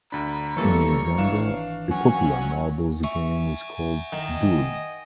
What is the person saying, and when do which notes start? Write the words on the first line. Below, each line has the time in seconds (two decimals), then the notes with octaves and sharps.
In Uganda, a popular marbles game is called "dool".
0.12 D2 D4 A#5 B5
0.57 E3 G3 A#3 F4 A4 C#5
1.18 G#1 E3 D4 F5 E7
1.91 F#3 C#4 G#5
3.04 E5 F#5 G#5 C#6
4.13 D#3 D#5